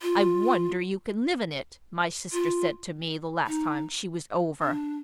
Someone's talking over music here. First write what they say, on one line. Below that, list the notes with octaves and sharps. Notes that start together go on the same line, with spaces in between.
'I wonder you can live in it,' my sister said to me the last time she was over.
F4
F4
D#4
D4